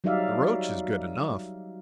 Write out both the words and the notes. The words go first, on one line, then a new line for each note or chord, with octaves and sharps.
The roach is good enough!
F#3 G3 D#4 D5 E5 F5